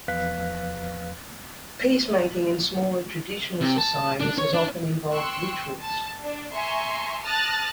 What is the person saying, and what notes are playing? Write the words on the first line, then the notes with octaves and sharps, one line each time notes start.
Peacemaking in smaller, traditional societies has often involved rituals.
E2 F3 B4 F5 F#6 B6
C3
A5
D4
C#5
D4
G5 C6 C#6 E6 F#6
A5
D4
E5 G#5 A#5 C6 C#6
A5 D#6 F6 F#6 A6 A#6